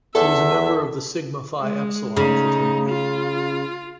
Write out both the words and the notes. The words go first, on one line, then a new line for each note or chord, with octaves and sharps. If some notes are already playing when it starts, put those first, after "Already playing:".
He was a member of the Sigma Phi Epsilon Fraternity.
E2 A4 E5
G#3
C#3 A3 D#4
F4